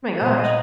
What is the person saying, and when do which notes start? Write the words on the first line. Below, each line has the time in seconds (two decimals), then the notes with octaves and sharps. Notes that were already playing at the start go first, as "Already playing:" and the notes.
My gosh.
0.20 A#2 C5
0.37 D#4 D#5